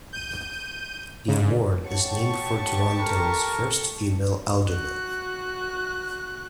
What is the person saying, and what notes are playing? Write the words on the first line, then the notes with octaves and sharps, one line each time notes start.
The award is named for Toronto's first female alderman.
G6 D#7
G#2 C#3
G4 C#5 F#5 A5 C#6
A4 A#4
F#4 F#6